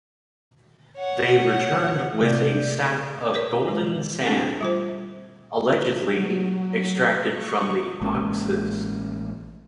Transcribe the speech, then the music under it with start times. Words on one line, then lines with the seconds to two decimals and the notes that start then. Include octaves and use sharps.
They returned with a sack of golden sand, allegedly extracted from the Oxus.
0.97 C#5 F#5
2.22 C3 A3 D5 G6
3.34 A#4 B4 C#5 D5
3.67 E3 F#3 G#3
4.26 A3 C4 D4 E4 G4 A4
4.61 G3 F4 C5
6.06 F#3
7.27 C#6
8.01 A1 G#3 A#3 C#4